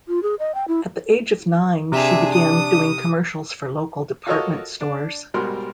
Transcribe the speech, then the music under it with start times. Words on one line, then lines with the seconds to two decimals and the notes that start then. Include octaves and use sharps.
At the age of nine, she began doing commercials for local department stores.
0.08 F4
0.23 G#4
0.39 D#5
0.54 G5
0.68 E4
1.92 C3 D4 G#4 E5
2.31 D#6
4.27 F4 F#4 A4 A#4 C#5 D#5
4.81 D4
5.34 G#2 B2 G3 A#4 C6